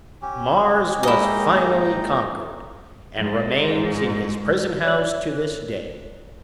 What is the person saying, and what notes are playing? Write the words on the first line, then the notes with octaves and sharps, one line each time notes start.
Mars was finally conquered, and remains in his prison-house to this day.
C#4 G4
G#2 G#3 A#3 D#4 E4 D#5 G5 A#5
G#2 G#3
C#5 D5 F#6 F#7